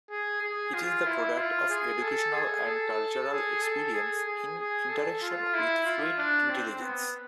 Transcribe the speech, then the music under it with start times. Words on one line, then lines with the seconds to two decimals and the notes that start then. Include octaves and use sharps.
It is the product of educational and cultural experience in interaction with fluid intelligence.
0.10 G#4
0.42 G#4
0.74 F4
1.06 E4
1.37 F4
1.70 G#4
2.02 A4
2.34 G#4
2.66 A4
3.29 G#4
3.62 A4
3.93 G#4
4.26 G#4
4.58 G#4
4.89 A4
5.22 F4
5.54 E4
5.85 F4
6.17 D4
6.49 C4
6.81 B3